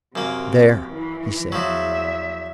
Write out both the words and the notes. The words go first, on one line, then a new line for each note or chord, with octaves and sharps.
"There!" he said.
F#2 C3 A#3
E3
E2 F3 F#3 E5